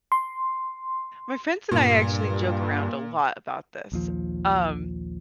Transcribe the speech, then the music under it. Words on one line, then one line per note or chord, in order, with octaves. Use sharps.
my friends and I actually joke around a lot about this, um,
C6
G2 A#2
A#1 D#2 F3